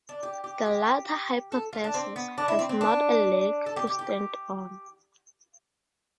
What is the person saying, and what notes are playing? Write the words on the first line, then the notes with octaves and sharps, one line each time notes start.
The latter hypothesis has not a leg to stand on.
D4
G4
G4
G4
A4
F4
D4
C4
B3
D4
E4
C4
C4
D4
A4
G4
G4
G4